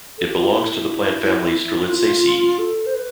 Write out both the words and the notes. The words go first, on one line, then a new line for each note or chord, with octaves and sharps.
It belongs to the plant family Strelitziaceae.
A4
G4
F4
E4
F4
A4
C5
B4